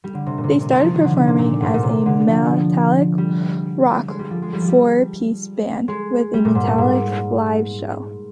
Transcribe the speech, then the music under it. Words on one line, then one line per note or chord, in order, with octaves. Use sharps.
They started performing as a melodic rock four-piece band with a manic live show.
G3
D3
C3
A#2
C3
A#2
C3
C3
F3
D#3
D3
D3
C3
A#2
G#2
A#2
C3
D3
F3
G3
G#3
G3
F3
G#3
G3
F3
G3
G#3
G3
A#2
G#2
A#2
G#2